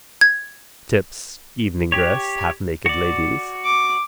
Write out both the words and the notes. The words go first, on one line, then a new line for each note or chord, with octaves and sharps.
Tips, evening dress, halfnaked ladies.
G#6
G4 C#5
F#4 D5
D6